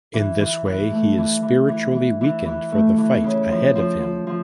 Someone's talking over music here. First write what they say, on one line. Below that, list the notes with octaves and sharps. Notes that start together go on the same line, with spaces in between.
In this way he is spiritually weakened for the fight ahead of him.
E3
E3
E3
A3
E3
E3
E3
E3
E3
E3
A3
E3
C#3
F3
F3
F3
F3